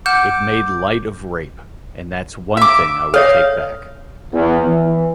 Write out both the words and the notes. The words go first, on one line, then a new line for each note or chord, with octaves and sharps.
It made light of rape, and that's the one thing I would take back.
F#5 D6 F6 G6 E7
E5 F5 D6
A4 C#5 E5 F5
E2
E3